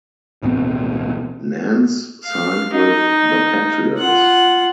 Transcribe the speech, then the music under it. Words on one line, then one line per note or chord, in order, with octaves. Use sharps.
Nance signed with the Patriots.
D1 A1 B2 C4
F5
D#4
F4 F#5